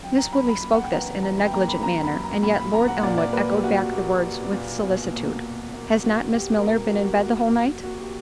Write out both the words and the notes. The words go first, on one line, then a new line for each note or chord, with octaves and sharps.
Miss Woodley spoke this in a negligent manner, and yet, Lord Elmwood echoed back the words with solicitude, "Has not Miss Milner been in bed the whole night?"
F#2 G5
A#5
F#2 B5
B5
A#3
F#5
G5
E3 A#5
F#2 A#5
B5
G5
A#3 A#5
B5
F#2 A#5
B5
F#2
A#5
A#2 B5
B5
A#3 A#5
F#5
A#2 D5
D5
A#3 B4
G4
A#3 F#4
A#3
A#3
A#2
B2
A#3
B2
A#3
B2 F#4
B2 G4
A#4
B2 G4
G4
A#3 F#4
A#3 F#4
A#3
A#3 F#4
F#4
G4